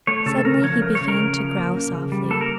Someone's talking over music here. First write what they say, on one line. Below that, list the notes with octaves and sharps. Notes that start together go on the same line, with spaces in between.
Suddenly he began to growl softly.
A3 C#5
C#3 A4
A4
C#3 A#4
F3 C#5
A3 A#4
C#5
C#3
A#4
C#3
F3
A#3
C#3
C#3
G3
A#3 A4
A#4